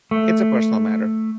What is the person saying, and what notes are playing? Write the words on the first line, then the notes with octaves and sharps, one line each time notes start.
It's a personal matter.
A3